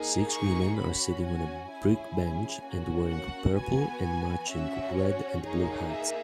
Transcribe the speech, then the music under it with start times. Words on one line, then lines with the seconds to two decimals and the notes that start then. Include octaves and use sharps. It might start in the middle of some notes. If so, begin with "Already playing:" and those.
Six women are sitting on a brick bench and wearing purple and matching red and blue hats.
Already playing: A#3 D#4 G#4
0.29 C#6
0.76 C#4 F#4 B5
1.23 G#5
1.69 C#4 E4 G#4 G#5
2.63 A#3 C#4 F#4
3.09 F#5
3.56 B3 F#4 G#5
4.03 G#5
4.49 C#4 F#4 E5
4.97 C#5
5.43 A#3 D#4 G#4 C#5
5.90 E5